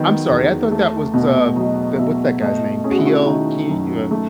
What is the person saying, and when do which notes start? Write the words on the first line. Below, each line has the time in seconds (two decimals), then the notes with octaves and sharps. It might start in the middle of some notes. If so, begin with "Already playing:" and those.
I'm sorry, I thought that was, uh the what's that guy's name? Peele Key? You,
Already playing: D#3 F#3 B3
0.28 E2
0.71 A3
1.13 B2
1.56 F#3 D#5
1.98 B2 E5
2.41 A3 D#5
2.84 C#4 G#4
2.91 F#4
2.99 E4
3.06 F#4
3.26 D#3 D#4
3.69 F#2
4.11 A3